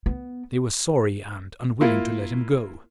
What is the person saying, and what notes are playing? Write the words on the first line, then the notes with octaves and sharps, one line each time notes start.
They were sorry and unwilling to let him go.
B3
A#3 E4 F4